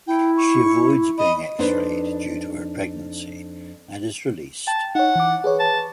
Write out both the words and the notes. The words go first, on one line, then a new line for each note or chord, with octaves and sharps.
She avoids being X-rayed due to her pregnancy, and is released.
E4 G5
C#6
D#5 B5
F2 D4 D#4 B4 C5
G5 A5
D#4 C#5 F#5
E3 D6
G#4 B4 C#5
A5